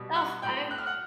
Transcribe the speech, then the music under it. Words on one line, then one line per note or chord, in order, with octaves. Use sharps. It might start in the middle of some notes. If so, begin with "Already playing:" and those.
Ugh, I'm
Already playing: B2 G3
F#5 F#6
A2 F#3 G5 G6
F#6
F6
F#5 F#6